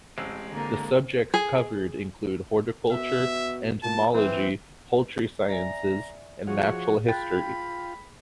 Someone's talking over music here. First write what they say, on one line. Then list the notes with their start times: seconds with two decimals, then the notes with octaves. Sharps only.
The subjects covered include horticulture, entomology, poultry sciences, and natural history.
0.18 A1 G#3 C4 C5 E6
0.51 D3 A#3 D#4
1.34 G#4
2.91 B2 E5
3.83 A#2 A5
4.13 E3 C4
5.49 D5 E5 G#5 A#5
6.47 F3 F#4 G#4 C#5
7.08 F4 G5 B5 F#6 A6